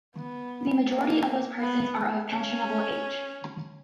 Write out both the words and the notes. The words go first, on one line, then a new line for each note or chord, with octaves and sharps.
The majority of those persons are of pensionable age.
B3
A#3
B3
C#4